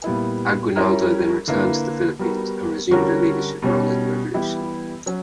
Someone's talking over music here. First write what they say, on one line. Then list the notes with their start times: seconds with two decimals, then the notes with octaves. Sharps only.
Aguinaldo then returned to the Philippines, and resumed a leadership role in the revolution.
0.04 A#2 G3 B3 E4
0.76 G3 C#4 E4 A#4
1.48 D3 A#3 E4 B4
2.19 G3 B3 F#4 A#4
2.91 D3 G3 C#4 F#4 A#4
3.62 B2 G3 C#4
4.34 E3 G3 B3 E4 G4
5.06 F#3 C#4